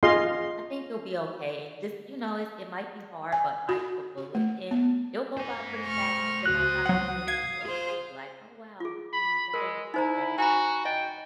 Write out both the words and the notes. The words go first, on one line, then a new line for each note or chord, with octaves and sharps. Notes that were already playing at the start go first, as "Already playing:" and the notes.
I think you'll be okay and just, you know, it's it might be hard, but bite the bullet, and it'll go by pretty fast and by time you're finished, you'll probably be like, "Oh, wow," you know, "That wasn't so bad after all."
F4 G#4 D#5 F5 C6
G#5
F#4
G4
A3
B3
C5 G#5
C#6 F6
C#2 F#4 D#6 F#6
F#3 F#5
F5 G#6
F4 G#4 C5
F4 G#4
B5
G#3 A#4
D#4 E4 C5 A#5
F#4 G#5 A#5 B5
D#5 G5